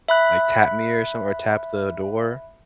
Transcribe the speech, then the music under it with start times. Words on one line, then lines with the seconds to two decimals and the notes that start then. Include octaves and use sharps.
like, tap me or some or tap the door.
0.09 E5 B5 F#6